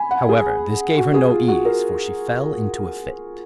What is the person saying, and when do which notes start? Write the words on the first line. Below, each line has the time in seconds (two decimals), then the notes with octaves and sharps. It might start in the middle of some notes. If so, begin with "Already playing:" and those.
However, this gave her no ease, for she fell into a fit.
Already playing: G#5 B5
0.11 F#5
0.29 G#4
0.97 F#4
1.14 G#4
1.31 F4
1.48 F#4
1.65 A#4